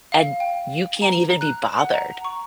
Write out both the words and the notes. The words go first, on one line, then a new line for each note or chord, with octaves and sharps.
and you can't even be bothered.
F5
G5
A#5
F#6
F#5
A#5
C#6